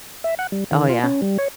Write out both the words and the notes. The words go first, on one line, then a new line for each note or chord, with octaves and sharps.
Oh, yeah.
E5
F#5
G3
D#3
F4
C#4
G3
C#5